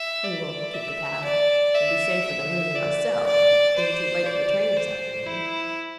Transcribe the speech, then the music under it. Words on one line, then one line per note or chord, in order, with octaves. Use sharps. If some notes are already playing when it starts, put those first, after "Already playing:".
We will keep the cab; it will be safer than losing ourselves, and being too late for the train this afternoon.'
Already playing: E5
D5
E5
D5
E5
E5
D5
D5
C5
D5
C5
E4